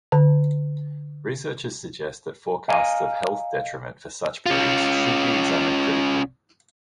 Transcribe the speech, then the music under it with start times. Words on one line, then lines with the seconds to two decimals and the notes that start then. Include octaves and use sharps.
Researchers suggest that forecasts of health detriment for such periods should be examined critically.
0.12 D3 A5
2.68 D#5 F5 G#5 A#5
4.46 C#4 F4